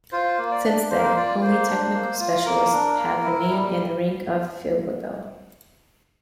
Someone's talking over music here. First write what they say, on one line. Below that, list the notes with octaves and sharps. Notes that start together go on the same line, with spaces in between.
Since then, only technical specialists have remained in the rank of "Feldweibel".
F4 C5
A#3
D5
D4
A#3 C5
A#4
C5
F4 D5
A#3 C5
D4
A#3
F4
A#3 A#4
D4
A#3
E4
G3